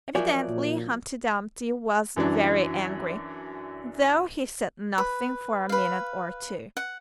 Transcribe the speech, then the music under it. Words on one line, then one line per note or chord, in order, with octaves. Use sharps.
Evidently Humpty Dumpty was very angry, though he said nothing for a minute or two.
F3 F#3 F4 A#4 C#5 D5 E5 G#5
A#2
F#2 E3 F#3 D4
B4
B4 F5
F#5